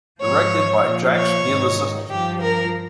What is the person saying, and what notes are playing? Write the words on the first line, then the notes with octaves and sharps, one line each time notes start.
Directed by Jacques deLisle.
G#2 F3 C#5
A#2 F3
C#5
G#2 D#3
G2 F3 G4
A#4